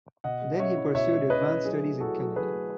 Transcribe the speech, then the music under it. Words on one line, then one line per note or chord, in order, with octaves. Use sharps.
Then he pursued advanced studies in Canada.
B2 D#5 F#5
G#3
C#4 C#5 E5
E4
B2 C#5 E5
G#3
C#4 B4 D#5
E4
F#3 G#4
A3
E4 F#4 A4
F#3
F#3 G#4 B4
A3